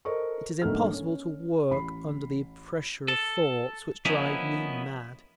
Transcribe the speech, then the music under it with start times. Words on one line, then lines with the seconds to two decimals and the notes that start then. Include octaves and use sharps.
It is impossible to work under the pressure of thoughts which drive me mad!
0.05 A4 A#4 C5 D#5 C#6
0.62 B1 G#2 D3 A3 A#3 F6
0.93 C#4
1.71 A1 B5 C7
3.08 A4
4.05 F3 A#3 B3 C#4 D#4 E4